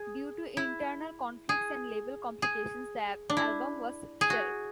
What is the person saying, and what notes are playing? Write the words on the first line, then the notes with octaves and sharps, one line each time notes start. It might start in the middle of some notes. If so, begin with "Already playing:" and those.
Due to internal conflicts and label complications, the album was shelved.
Already playing: G#4
E4
G#4
G#4
D4
E4
G#4
F#4